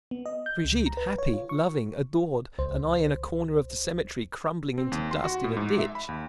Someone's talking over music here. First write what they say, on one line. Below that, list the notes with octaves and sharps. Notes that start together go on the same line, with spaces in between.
Brigitte happy, loving, adored, and I in a corner of the cemetery, crumbling into dust in a ditch!
B3
D#5
G6
C#2
A#5
B4
C#5
F4
C#6
C#2 C5
C4
D#2
C6
F#4
A2
G#2
E5
B5
D#2